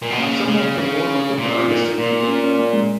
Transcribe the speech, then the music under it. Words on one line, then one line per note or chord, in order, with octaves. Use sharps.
Some of the more notable are listed below.
A#2
B2
C#3 A#3
C#3
C#3
C#4
A#2
F4
A#2 D#4
A#2
C#4
C#4
A#3
G#3